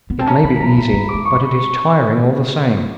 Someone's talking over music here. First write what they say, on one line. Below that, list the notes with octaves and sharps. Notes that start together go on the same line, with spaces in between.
"It may be easy, but it is tiring all the same."
B3
C4 A5
C#4 A#5
C4 B5
F#3 A#5
A#3 B5
A3
D6
G#3
C#6
C4
C#6